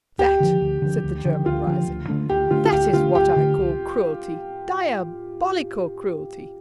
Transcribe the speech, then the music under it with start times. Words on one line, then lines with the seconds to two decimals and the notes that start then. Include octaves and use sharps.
That," said the German rising, "that is what I call cruelty--diabolical cruelty.
0.18 D2 G4
0.40 D3 F3
0.61 D2
0.82 D3 F3
1.03 D2
1.25 D3 F3
1.46 D2 F4
1.67 D3 F3
1.88 D2
2.08 D3 A3 D4
2.29 D2 G4
2.51 D3 A3 D4 F4
2.65 F4
2.72 D2 G4
2.93 D3 A3 D4 F4
3.15 D2 G4
3.36 D3 A3 D4
3.57 C2